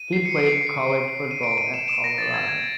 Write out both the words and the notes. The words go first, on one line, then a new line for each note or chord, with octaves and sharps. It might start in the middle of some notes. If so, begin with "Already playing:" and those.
He played college football at Colorado.
Already playing: D#7
C7
C#7
D7
C7
C#7
C7
D#7
D7
D#7
E7
E7
A#6
A6
G#6
G#6